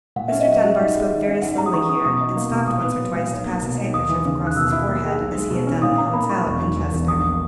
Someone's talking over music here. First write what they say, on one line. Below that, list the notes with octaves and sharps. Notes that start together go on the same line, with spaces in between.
Mr. Dunbar spoke very slowly here, and stopped once or twice to pass his handkerchief across his forehead, as he had done in the hotel at Winchester.
A#2 F#5
C#4 E5
D#5
F#3 E5
F#4
G#2
G#3
D#3
C#4
G#2 F#5
G#3 A#5
D#6
E3 C#6
C#4 D#6
B2 D#6
D#4
A#3
B2
A#2 D#6
B3
F#3
A#2
B1
A#3
B2
D#4
D#2 D#6
E3
C#3
D#2
F#6
B2 E6
E4
A#3
G#4
B1
G#3
B2
C#4
A#2 D#6
C#4 A#5
A#3 B5
E4 C#6
E1
D#3
E2
E1
A#1 D#6
A#3